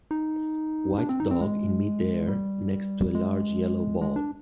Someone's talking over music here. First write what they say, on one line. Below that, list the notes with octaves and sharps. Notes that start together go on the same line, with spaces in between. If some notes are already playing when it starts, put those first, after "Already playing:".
White dog in midair next to a large yellow ball.
D#4
D4
C4
D#4
C4
G#3
G3
G#3
G#3
D4